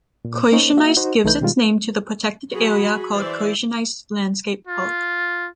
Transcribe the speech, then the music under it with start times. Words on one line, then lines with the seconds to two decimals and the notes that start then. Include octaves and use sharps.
Kozienice gives its name to the protected area called Kozienice Landscape Park.
0.25 A#2
0.52 A#3 C#4 D#4 C5 C#5
0.77 A#3 F#4 E5
0.97 D#4 F#4 C5
1.24 C2 E3 A3 D#4 B4 G6
1.41 B2 D#3 G3 G#3 F4
2.51 F#3 F#4 G#4 B5
3.12 E3 C5 D5 E5
4.67 F4